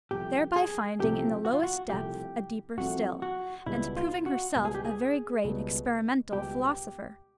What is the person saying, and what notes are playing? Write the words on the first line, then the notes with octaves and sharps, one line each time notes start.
Thereby finding in the lowest depth a deeper still; and proving herself a very great experimental philosopher.
C2 C3 F3 A3 C4 G4
G#4
C2 C3 F3 A3 C4 G4
F#4
F4
F#4
C2 C3 F3 A3 C4 G4
C2 C3 F3 A3 C4 F#4
F#4
C#2 B2 G3 B3 E4
F4
F#4
C#2 B2 G3 B3
G#4
G4
G#4
C#2 B2 G3 B3
C#2 B2 G3 B3 G4